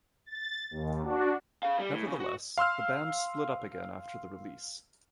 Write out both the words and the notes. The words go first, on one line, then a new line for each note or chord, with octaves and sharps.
Nevertheless, the band split up again after the release.
A6
D#2
D4 F#4
G#4 F5
G3
A2
C#3
F#4
F5 C6 E6 F6